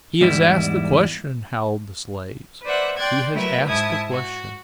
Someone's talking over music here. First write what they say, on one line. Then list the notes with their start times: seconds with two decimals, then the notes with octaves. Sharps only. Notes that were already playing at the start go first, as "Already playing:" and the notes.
"He has asked the question!" howled the slaves--"he has asked the question!"
0.21 E2 G#2 G3 E4
2.63 B4 C5 D5 E5 F#5
2.97 D5 G5 C6 F#6 G#6 A6
3.33 F#3 A3 E4 A#4 B4 E5
3.66 G#2 E4 A5 D#6 G#6
4.11 F#4